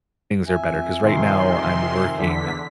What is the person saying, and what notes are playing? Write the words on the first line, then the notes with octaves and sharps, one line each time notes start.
things are better. 'Cause right now, I'm working
F2 E5 G#5
C3 D#3 C6
E2 D3 B6